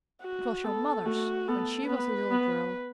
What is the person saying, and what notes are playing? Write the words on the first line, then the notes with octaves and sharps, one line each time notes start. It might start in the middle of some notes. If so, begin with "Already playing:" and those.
"It was your mother's when she was a little girl."
F#4
B3 A4
A3 F#4
B3 A4
B3 B4
B3